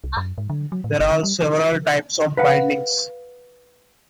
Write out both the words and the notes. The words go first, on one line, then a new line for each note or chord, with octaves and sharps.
There are several types of bindings.
C2
F#2
G#2
D3
F#3
A2
G1
D#3
G3
B4 F5 F#5